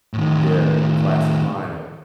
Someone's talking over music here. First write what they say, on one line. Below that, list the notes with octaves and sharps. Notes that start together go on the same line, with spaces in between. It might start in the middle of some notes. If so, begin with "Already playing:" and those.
Yeah, they the classic line of
A2 D#3